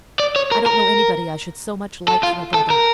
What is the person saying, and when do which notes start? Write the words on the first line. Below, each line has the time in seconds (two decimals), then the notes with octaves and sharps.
I don't know anybody I should so much like for a brother.
0.20 D5
0.36 C#5
0.51 A#4
0.66 A#4
2.08 A4
2.23 F4
2.54 A4
2.70 A#4